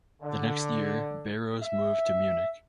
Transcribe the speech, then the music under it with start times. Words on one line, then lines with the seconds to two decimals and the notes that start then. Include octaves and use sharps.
The next year, Bayros moved to Munich.
0.22 D3
1.62 E5